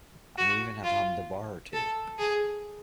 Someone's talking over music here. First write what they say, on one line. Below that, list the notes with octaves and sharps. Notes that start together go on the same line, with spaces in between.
I may even have hummed a bar or two.
F#4
F4
A4
G#4